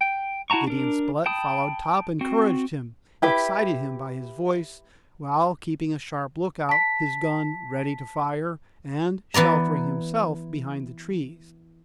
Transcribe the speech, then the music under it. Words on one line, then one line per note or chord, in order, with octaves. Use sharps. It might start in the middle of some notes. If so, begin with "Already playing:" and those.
Gideon Spilett followed Top, encouraged him, excited him by his voice, while keeping a sharp look-out, his gun ready to fire, and sheltering himself behind the trees.
G5
E4 F#4 A5 A#5 C#6
D4 A#4
G5 A5 B5 D#6
C4 F#4
E4 G4 B4
A5 B6
E3 B3 D5 A#5